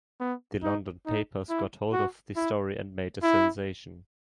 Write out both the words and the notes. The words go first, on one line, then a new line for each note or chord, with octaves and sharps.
The London papers got hold of the story and made it a sensation.
B3
D#4
D#4
E4
F#4
E4
E4